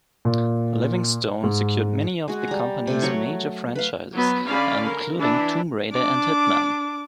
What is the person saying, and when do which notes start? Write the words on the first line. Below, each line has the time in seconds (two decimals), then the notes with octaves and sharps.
Livingstone secured many of the company's major franchises, including "Tomb Raider" and "Hitman".
0.25 A#2
1.43 G#2
2.28 G#3 F#4
2.48 G3 A#5
2.87 C3 A3
3.02 F#3 C#5 C#6
3.75 B4 F5
4.14 F#3 B3
4.48 D3 C#4 D5 F5 B5
4.85 A#4
5.18 E3 D4 E4
5.92 D4 D6